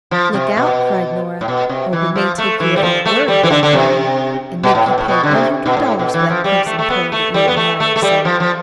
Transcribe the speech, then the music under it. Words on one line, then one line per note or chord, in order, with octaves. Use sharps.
"Look out," cried Nora, "or we may take you at your word, Will Hardon, and make you pay one hundred dollars for that crimson pillow that you admire so."
F3
C3
B2
A2
B2
C3
E3
F3
A3
E3
G3
F3
A3
G3
E3
D3
D3
C3
B2
A2
B2
A2
B2
D3
C3
B2
A2
B2
E3
F3
G3
A3
A3
B3
A3
G3
B3
A3
A3
A3
G3
F3
F3